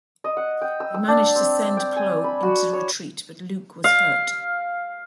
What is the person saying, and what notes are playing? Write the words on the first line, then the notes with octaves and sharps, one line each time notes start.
They managed to send Plo into retreat, but Luke was hurt.
D#5
F#5
G5
E6
E6
D4
C4
G5
G#5
B5
F#4
C#5
F5